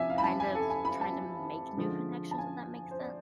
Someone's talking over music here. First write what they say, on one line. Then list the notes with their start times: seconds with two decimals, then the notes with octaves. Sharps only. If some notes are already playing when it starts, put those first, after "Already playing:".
kind of trying to make new connections, if that makes sense,
Already playing: C3 F3 E5 G#5
0.10 F5
0.18 B5
0.24 A5
0.40 G#5
0.55 A4
0.70 G#5
0.85 B5
1.01 A5
1.77 D3 F3 G#3
2.31 A5
2.38 G#5
2.91 C5
2.99 D5